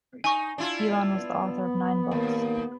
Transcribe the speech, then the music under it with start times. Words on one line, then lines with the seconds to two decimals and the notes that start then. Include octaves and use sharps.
Elon was the author of nine books.
0.24 D#4 G#5 C#6
0.58 D4 E4 F4
1.17 B3
2.11 D#2 A#3